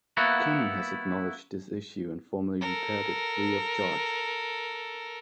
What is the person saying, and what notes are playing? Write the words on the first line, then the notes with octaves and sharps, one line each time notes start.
Canon has acknowledged this issue and formerly repaired it free of charge.
A#3 B3 E4 F#4
A4 A#4